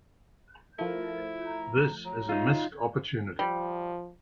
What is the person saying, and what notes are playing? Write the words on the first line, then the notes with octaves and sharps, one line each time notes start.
This is a missed opportunity.
F3 A3 E4 A#4
A#5
F#3 A#5
D#4 F4
F3 G3